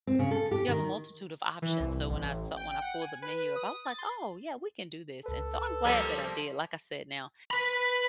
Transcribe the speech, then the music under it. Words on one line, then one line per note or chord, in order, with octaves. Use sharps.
you have a multitude of options." So when I saw when I pulled the menu up, I was like, "Oh, yeah. We can do this," and so I'm glad that I did. Like I said now,
C4
C#3
A4
G4
D#3
E3
C2
A1
A1
G5
F#5
G#5
B4
D#6
A6
C6
C#2 A4 B4
F3 G3 A#3
B4 B5